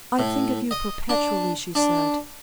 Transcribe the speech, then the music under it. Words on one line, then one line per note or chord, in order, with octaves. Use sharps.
"I think of you perpetually," she said.
A2
D#5
D4
D4